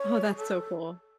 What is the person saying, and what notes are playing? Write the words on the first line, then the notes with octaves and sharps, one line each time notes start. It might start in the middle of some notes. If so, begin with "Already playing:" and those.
Oh, that's so cool.
Already playing: C#5
G#4
A4